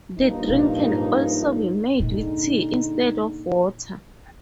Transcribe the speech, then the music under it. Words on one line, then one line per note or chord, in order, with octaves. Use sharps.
The drink can also be made with tea instead of water.
G2 A#2 F3 A#3 D#4
A#2
G#2
A#2 D3 G#3 D#4